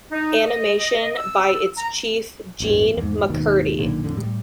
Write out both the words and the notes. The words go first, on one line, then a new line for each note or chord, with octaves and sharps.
Animation by its chief Jean MacCurdy.
D#4
D#5
E6
A#5
A1 E2 G2
E2 G#2
G#1 D#2 B2 D#3
B1 A#2 D3 D#3
F2 A2 D3
A2 G3